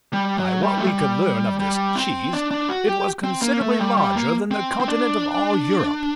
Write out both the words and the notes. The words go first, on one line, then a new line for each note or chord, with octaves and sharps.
By what we could learn of this CHEESE, it was considerably larger than the continent of all Europe!
G3
F#3
G3
A3
G3
G3
C4
D4
D4
F#4
G4
C4
A#3
A3
G3
G3
A#3
C4
C4
D4